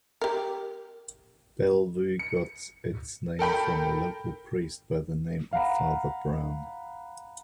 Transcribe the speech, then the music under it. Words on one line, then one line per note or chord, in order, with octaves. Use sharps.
Bellevue got its name from a local priest by the name of Father Browne.
G4 A#4
C#7
A4 A#4 G5 B5
F5 F#5 A#5 B5